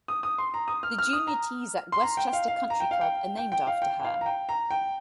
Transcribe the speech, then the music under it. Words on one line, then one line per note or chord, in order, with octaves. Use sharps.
The junior tees at Westchester Country Club are named after her.
D#6
D#6
C6
A#5
D#6
F6
F6
D#6
A#5
C6
A#5
G5
F5
F5
A#5
G5
F5
G5
G5
G5
F5
G5
G5
F5
A#5
G5
A#5
G5